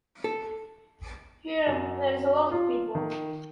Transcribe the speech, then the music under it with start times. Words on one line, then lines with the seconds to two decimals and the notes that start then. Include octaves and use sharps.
Here, there’s a lot of people.
0.24 A4
1.67 F#2
2.51 F4
2.95 D#3